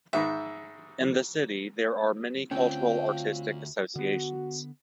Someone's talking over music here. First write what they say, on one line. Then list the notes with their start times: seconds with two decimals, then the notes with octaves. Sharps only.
In the city there are many Cultural Artistic Associations.
0.13 G#2 D#3 B4 E5
2.51 D2 D3 C4 C#4 F4 G5
3.96 D3 B3 F#4